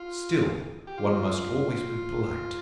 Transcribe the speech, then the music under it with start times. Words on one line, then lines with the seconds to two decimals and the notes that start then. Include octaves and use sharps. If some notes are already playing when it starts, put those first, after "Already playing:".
Still one must always be polite.
Already playing: F4
0.87 G4
0.98 F4